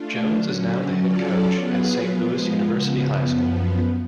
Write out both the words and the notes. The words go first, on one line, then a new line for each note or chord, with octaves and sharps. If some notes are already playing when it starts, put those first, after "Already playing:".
Jones is now the head coach at Saint Louis University High School.
Already playing: A3 D4 F4
D3 F#3 C#4
F#3 C#4 F4 A4 D5
F#3 B3 F4 G#4 B4
F3 G#3 B3 F4
C#3 F3 B3
F#2 F3 B3